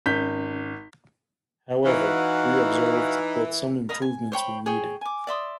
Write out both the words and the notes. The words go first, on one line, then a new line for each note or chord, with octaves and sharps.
However, we observed that some improvements were needed.
G#1 C#4 G6 B6
E3 D#4 F#4 F5 F#5
A#4 D#5 F5 B5
G#5
C5 C#5 G5 B5
G#4 C#5 G5
G#5 D6
D5 E5 C6 D#6